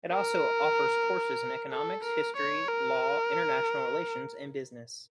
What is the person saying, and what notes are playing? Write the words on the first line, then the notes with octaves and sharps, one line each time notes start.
It also offers courses in economics, history, law, international relations, and business.
A#4
A4
A#4
C#5
A#4